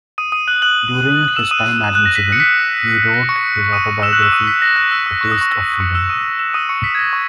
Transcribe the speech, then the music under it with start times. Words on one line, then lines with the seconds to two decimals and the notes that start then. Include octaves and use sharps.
During his time at Michigan, he wrote his autobiography "A Taste of Freedom".
0.18 D#6 D#7
0.32 D#6 D#7
0.48 F#6 F#7
0.62 F#6 F#7
1.36 E6 E7
1.51 D#6 D#7
1.95 F#6
2.06 A#6
2.15 B6
2.32 C#7
2.40 B6
3.14 A#6
3.29 C#6 C#7
3.73 D#6 D#7
4.03 E6 E7
4.12 F#6 F#7
4.22 E6 E7
4.32 D#6 D#7
4.47 B6
4.62 A#6
4.76 F#6
4.91 E6
5.06 D#6
5.21 C#6
5.32 D#6
5.41 C#6
5.51 E6
5.80 C#6 C#7
5.95 E6 E7
6.10 D#6 D#7
6.39 E6 E7
6.54 D#6 D#7
6.69 C#6 C#7
6.84 B6
6.95 G#6
6.99 A#6
7.13 C#6